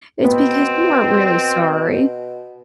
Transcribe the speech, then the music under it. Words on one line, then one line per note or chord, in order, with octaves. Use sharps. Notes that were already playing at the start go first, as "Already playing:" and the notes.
it's because you aren't really sorry
B2 B3 C4